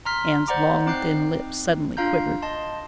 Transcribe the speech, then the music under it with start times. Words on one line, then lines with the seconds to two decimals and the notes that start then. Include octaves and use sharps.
Anne's long, thin lips suddenly quivered.
0.05 A#5 C6 F6 B6
0.48 C5 D5 F#5 A#5 D6
0.86 C4 D#4 D6 F#6 G6 C7
1.97 D4 F4 F5 A#5 G6
2.42 D#5 A5 C6